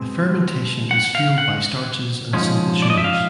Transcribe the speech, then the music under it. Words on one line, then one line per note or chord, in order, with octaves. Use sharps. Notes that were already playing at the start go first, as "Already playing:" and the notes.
The fermentation is fueled by starches and simple sugars.
Already playing: B2 G#3 C4
F#5
F5
F#5
G#2 F3 G#3 C#4
D5
D#5
E5
F5